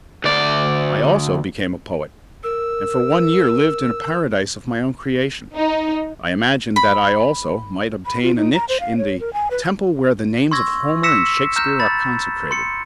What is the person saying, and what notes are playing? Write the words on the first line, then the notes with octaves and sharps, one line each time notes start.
I also became a poet and for one year lived in a paradise of my own creation; I imagined that I also might obtain a niche in the temple where the names of Homer and Shakespeare are consecrated.
D2 D5
A#4 E6
D#4
B5
B5
F4
D#4
A#5
C5
F5
C#5
A#4
G#5
B4
C6 C#6 E6 G#6 A#6
E6 A#6 B6 C#7 E7
A#5 F6 G6 A#6 E7
B5 A6
C6 C#7